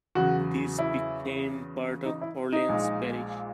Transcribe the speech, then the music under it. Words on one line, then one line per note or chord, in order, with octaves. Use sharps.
These became part of Orleans Parish.
E2 C#3 F#3 F#4
E4
D#4
E4
D#4
A#1 A#2 G#3